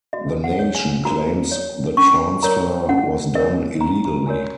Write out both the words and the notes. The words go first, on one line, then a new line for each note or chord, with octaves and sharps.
The Nation claims the transfer was done illegally.
F#4 D#5
F#5
C#5
G#5
F#4 A#5
C#5
C#4 C#6
A#4 C#5 A#5
C#4 F#5
A#4 C#5 D#5
C#4 A#5
A#5
F#4 A#4 C#5 G#5